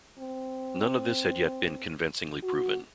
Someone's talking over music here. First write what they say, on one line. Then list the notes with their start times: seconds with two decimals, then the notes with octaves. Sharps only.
None of this had yet been convincingly proven.
0.19 C4
2.43 F#4